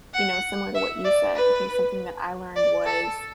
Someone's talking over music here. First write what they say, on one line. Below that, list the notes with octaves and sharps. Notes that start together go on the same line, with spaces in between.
you know, similar to what you said, I think something that I learned was,
F#5
E5
D5
B4
D5
A4